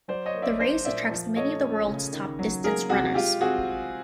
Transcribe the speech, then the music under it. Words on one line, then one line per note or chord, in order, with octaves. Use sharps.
The race attracts many of the world's top distance runners.
F#3 C5 D5
C#5 D#5
A#3
D5 E5
D4 C5 D5
A#2 D5 E5
F3
A3 C#5 D#5
C#4
C#3
D#3
F#3
A#3 G#4 A#4
C3 F#4 G#4
G#3 F4 G4
C4 F#4 G#4